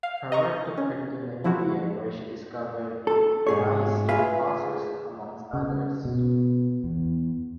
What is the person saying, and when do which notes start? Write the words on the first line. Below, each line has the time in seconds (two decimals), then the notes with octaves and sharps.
Her work took her to Namibia where she discovered Miocene fossils amongst others.
0.03 F5
0.32 D#5 A#5 C#6
0.77 C#4
1.44 F3 E4 F#4
3.07 A4
3.47 G#2 G#4 C#5
4.09 F4 G#4 B4 E5 F5
5.53 C#3
6.05 B2
6.84 E2